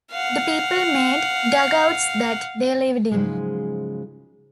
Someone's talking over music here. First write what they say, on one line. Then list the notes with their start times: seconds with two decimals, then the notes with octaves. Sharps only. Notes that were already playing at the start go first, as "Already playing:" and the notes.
The people made dugouts that they lived in.
0.12 F5 F#5
3.12 G#2 C#3 F3 F#3 G#3